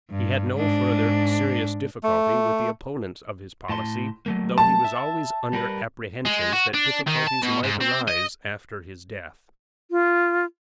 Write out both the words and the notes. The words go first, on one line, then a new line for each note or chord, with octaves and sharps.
He had no farther serious difficulty with the opponents of his policy, though he was always under apprehensions that difficulties might arise after his death.
G2
G#2 D4
A3
A2 A5 C6
F#3 A3 A#3
A5
E5
G3 A#4 B4
G#3
F#4
D4
D#3
A5
B2
G#2
C4
D#5
F4